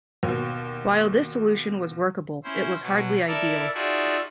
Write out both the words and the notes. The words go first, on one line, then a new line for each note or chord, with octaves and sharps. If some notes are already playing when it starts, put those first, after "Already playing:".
While this solution was workable, it was hardly ideal.
D#2 B2
C#4 E4 C5
B2 F#3
E4 A4 A#4 D5 E5
D#4 F4 F#4 G#4 D5 E5